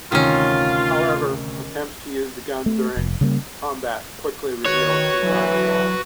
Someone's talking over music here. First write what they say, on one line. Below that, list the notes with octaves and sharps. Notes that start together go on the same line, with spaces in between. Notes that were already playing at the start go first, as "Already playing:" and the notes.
However, attempts to use the gun during combat quickly revealed design flaws.
D2 C3 D#3 C#4 F4
A3
F1
C#3 G3 A#3
D#3 F#4 B4 C#5
D2 D3 E3 F#3